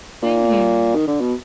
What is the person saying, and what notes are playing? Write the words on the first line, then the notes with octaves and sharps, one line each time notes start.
Thank you.
A#2
D#3
D3
B2